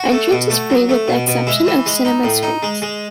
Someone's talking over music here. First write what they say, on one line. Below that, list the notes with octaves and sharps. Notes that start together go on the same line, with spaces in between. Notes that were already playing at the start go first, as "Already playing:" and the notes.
Entrance is free with the exception of cinema screens.
Already playing: F#4
A3
B2
A3
F#3
A3
B2
B2
G#3 E4
E3
G#3
D#4
A2
D#4
G#3
G#3